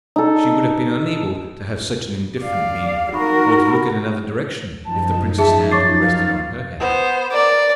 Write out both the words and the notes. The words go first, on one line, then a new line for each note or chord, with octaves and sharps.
She would have been unable to have such an indifferent mien, or to look in another direction if the prince's hand had rested on her head.
D#4 A4
D5 F5
D#4 F#4 A#4 B5 C#6
F#2 F3 D#4 A5
G#4 E5 A5
C#5 C#6 D6 A6 C7
F5
B3 C5
A#4 D5